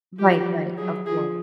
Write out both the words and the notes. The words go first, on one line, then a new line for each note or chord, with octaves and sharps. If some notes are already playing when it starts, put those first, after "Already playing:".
Right, right, of course.
F3 G4
F#3 G#4
F3 G#4